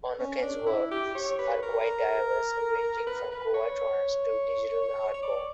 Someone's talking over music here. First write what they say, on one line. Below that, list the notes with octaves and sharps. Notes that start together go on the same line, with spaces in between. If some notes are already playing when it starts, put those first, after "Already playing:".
Onoken's works are quite diverse, ranging from goa trance to Digital hardcore.
C#4
D4
E4
G4
C#5
B4
A#4
B4
B4
C#5
C#5
D5